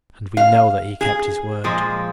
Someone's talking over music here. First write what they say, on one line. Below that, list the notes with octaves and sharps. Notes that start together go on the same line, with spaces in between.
And we know that he kept his word.
F5
G#4
A#2 F3 G#3